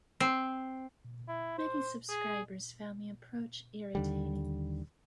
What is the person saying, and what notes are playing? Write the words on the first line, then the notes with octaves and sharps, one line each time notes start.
Many subscribers found the approach irritating.
C4
E4
C5
G#4
D#2 D3 G3